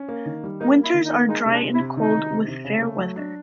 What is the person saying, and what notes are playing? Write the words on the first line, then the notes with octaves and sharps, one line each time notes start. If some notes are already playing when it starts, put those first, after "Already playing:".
Winters are dry and cold with fair weather.
Already playing: C#4
A#3
D#3
G3
A#3 D#4
A#3
E4
D#3
D#4
A#3
G#3 D#4
C3 D4
C3
E4
C3
D#3 D#4
D#3
C3
C3
C#3
A3
F#3
D4